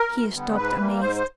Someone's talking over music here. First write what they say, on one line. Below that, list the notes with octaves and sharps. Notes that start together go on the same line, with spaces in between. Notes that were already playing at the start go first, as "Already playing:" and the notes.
He stopped amazed.
Already playing: A#4
D2
D3 G3 B3
G#2 B4
E3 G3 A#3
G#2 C5
C5